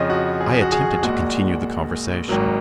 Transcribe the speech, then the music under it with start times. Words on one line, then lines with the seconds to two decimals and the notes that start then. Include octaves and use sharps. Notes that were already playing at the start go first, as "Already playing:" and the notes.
I attempted to continue the conversation.
Already playing: F2 C#3 F3 C#5 D#5
0.10 F#4
0.41 G#4
0.62 F#4
0.72 G#4
1.03 A#1 A#2 G#3 F#4
2.28 G#1 G#2 F#3 A#3